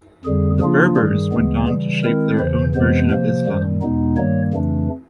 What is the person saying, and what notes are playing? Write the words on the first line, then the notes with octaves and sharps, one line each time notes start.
The Berbers went on to shape their own version of Islam.
F2 D3 G3 G#4
C#3 F3 A#3 D4 F4 G#4
G2 D#3 G3 G#4
D2 C#3 E3 G#3 B3
C#3 E3 G3
D#3 G#3 C4 E4 A#4
E2 C#3 E3 C5
F2 C3 E3 G#3 B3 C5
C3 F3 A#3 C5
F#2 D#3 G3
E2 B2 G#3 B3 D#4
G2 D#3 G3 A#3 C#5
F2 C#3 E3 A3 D4